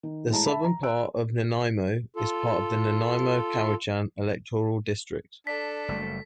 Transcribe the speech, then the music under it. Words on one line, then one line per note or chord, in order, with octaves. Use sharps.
The southern part of Nanaimo is part of the Nanaimo-Cowichan electoral district.
D#3
A2 G#3 A5 A#5
E5 A5 B5
A#5
E6 F#6 D7
F4 A4
D4 A4 B6
F#1 G3 A3